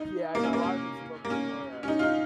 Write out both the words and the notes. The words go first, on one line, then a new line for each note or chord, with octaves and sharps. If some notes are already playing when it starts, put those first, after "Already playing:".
Yeah, I know, a lot of it's a little bit more, uh
Already playing: D#4
A#3
C#4
A#3
C#4
A#3
C#4
C#4
D#4
F4
D#4